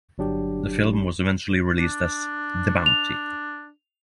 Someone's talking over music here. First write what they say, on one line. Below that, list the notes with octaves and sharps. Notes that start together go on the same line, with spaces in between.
The film was eventually released as "The Bounty".
G1 F#3 D4 G4
D4
F7